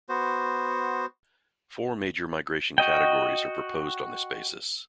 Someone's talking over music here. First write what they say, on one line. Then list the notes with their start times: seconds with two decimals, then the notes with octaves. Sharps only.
Four major migration categories are proposed on this basis.
0.09 B3 F#4 C5
2.78 F#4 D#5 G5